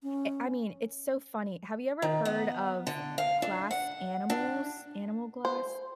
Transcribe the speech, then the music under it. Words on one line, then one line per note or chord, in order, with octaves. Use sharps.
I I mean, it's so funny. Have you ever heard of Glass Animals? Animal Glass?
C#4
D#3
B3
D3
F5
D4
F#5
D4
C5